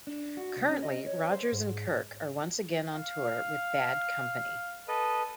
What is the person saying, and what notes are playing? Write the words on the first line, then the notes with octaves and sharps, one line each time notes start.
Currently, Rodgers and Kirke are once again on tour with Bad Company.
D4
F#4
C2
C#4
D#5
C#5
C5
G#2
F5
A4 B4 D#5